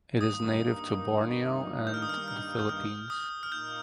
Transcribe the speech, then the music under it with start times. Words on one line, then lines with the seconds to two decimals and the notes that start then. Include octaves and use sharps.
It is native to Borneo and the Philippines.
0.21 G2 D#3 A#3 D#4 D#6
1.87 G6
1.94 F6
2.02 D#6
2.09 F6
2.28 F6
2.59 G6
2.69 F6
3.10 D#6
3.43 F6
3.51 A#2 A#3 D#4 G6